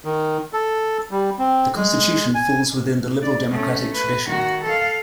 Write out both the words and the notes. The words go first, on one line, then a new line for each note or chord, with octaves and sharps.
The constitution falls within the liberal democratic tradition.
D#3
A4
G3
C4
G#3
G#5
D5
A3 C#4
B4
D#3 F#4
A4 F5